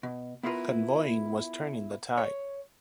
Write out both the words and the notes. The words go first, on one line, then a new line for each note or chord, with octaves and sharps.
Convoying was turning the tide.
B2
B3 E4 F4 G#4 A#4 B4
C#5